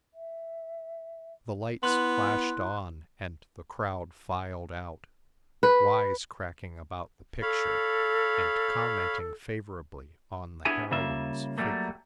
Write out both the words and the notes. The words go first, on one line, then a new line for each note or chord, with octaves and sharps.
The lights flashed on and the crowd filed out, "wise-cracking" about the picture and commenting favorably on the heroine's figure.
E5
B3 E4 C6 F#6
B4
A4 C#5 F5 B5
B3 D4 E4 G4 G#4 G#5
C#3 G3 A#3 F4 E5
F#3 G3 A3 A#3